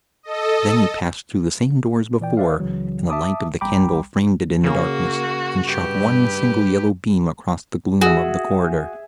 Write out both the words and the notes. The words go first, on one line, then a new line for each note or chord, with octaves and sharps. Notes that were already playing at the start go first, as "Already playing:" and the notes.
Then he passed through the same door as before, and the light of the candle framed it in the darkness and shot one single yellow beam across the gloom of the corridor.
A4 D#5
A#2 E3 D5 G5
B4 C5 D5 E5 F5
C#2 C#3 E3 F#3
E5 A5 D6 D#6
A#1 G3 G5 A#5 B5 D6
C#3 A#3 F#4
G2 G4 B4
F#4 G#4 E5